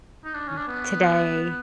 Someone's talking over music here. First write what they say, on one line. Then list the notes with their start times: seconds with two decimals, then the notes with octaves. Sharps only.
Hmm, today
0.25 D#4
0.35 D4
0.47 C#4
0.57 D4
0.68 B3